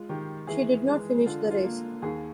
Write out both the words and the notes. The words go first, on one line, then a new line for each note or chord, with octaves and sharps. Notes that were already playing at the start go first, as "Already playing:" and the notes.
She did not finish the race.
Already playing: G#3 F4
D#3 G4
E3 G#4
G#3
D3 F4
F4
A#3
D#2 G#4